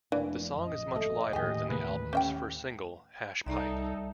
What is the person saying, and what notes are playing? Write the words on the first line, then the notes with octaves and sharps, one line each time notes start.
The song is much lighter than the album's first single, "Hash Pipe".
F1 E3 A#3 D4
A#1 F#2 D#5
G#1 A3
D#2 A2 E3 G4 G#4
C3 G#3 A#3 B4
C#4 G4 E5 G5
C2 G3 D#4 A4 D5 E5